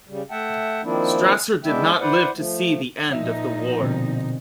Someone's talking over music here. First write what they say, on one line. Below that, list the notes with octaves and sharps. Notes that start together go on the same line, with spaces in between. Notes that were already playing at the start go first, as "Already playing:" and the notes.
Strasser did not live to see the end of the war.
C#3 G3
A3 E5 F#5 G5 A5
D#3 F3 A#3 C4 D4 E4
G#3 B3 D4 E4 E5 G5
E4 B4 C5 D5 F#5
F3 A3
A#2 F3 D#4 E5
B2 D3 C4